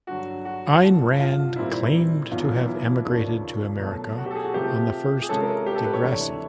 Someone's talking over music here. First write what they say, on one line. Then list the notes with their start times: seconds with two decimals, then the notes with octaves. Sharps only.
Ayn Rand claimed to have emigrated to America on the first "De Grasse".
0.07 G2 D3 F#3 F#4
0.45 F#4
0.83 G2 D3 F3
1.19 F4
1.56 A#2 G3 C4 D#4 E4
2.31 E2 B2 F#3 B3 D#4 F4
2.68 E4
3.06 D#2 C#3 F3 A#3 D4
3.80 B2 F#3 A3
4.17 F#4
4.26 G4
4.31 A4
4.35 G#4
4.44 F#4
4.54 C3 F3 A3 C4 G4
5.22 G#4
5.29 C3 F3 G#3 C#4 A4
5.41 A#4
5.66 G4
5.75 A4
5.84 B4
5.93 C#5
6.03 D2 C3 E3 A3 D4